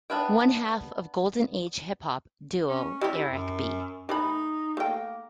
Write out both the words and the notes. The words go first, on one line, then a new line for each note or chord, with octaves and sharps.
One half of golden age hip hop duo Eric B.
B3 D4 B4 E5 G5
C#4
G3 E4 G4
F#2
E3 A3 D#4 B5
A3 A#3 G5